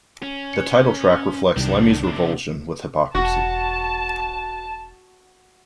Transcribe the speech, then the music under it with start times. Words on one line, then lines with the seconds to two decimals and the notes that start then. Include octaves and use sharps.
The title track reflects Lemmy's revulsion with hypocrisy.
0.22 C#4
0.54 C#7
1.56 C2 D#3 D4
2.04 C3 D4
3.15 E1 F#4 A5